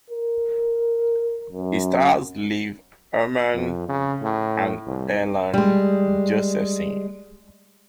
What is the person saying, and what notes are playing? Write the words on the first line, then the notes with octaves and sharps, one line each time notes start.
It stars Liv Ullmann and Erland Josephson.
A#4
F#2
F2
C#3
A2
C2
G3 G#3